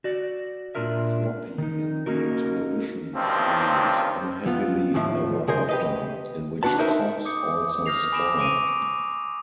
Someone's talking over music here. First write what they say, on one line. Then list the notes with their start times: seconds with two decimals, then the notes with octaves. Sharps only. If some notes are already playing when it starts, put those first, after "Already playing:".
Floppy in the television series "Unhappily Ever After" in which Cox also starred.
0.04 F#4 D5
0.75 A#2 G#3 D4 F4 A#4 E5
1.58 D#3 D#4
2.06 A#3 C#4 D#4 F#4 A#4
3.14 C#2 G2 C3 D#3 F3 C4
4.46 F2 B3 F4
4.94 D#2 A2 F3 E5
5.48 C#3 G#4 A#4 C5
5.69 G4 B4 D#5
6.63 D4 F4 F#4 B4 A5
6.78 D#4 A#4 C5 E5
7.25 D6 D#6 G6 C#7
7.86 D#6 F6 G6 A#6 C7 F7
8.12 G#5 B5 D6 A#6 D7 E7
8.38 C#6 D6 D7 D#7 F7